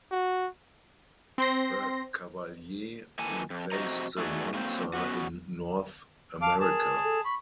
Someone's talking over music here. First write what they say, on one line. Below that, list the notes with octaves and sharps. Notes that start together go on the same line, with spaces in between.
The Cavalier replaced the Monza in North America.
F#4
C4 C6 A#6
D#3 E3 A#3 A4 G#5
F2
F2 C3 F#4 C5 D#5 A#5
A3 D#4 F#4 G#4 D5
A2 D3 F#3 A#3 C4 C5
B3 C#4 F#4
F5 A5 D6
G#4 A#4 A5
A4
B5 C#6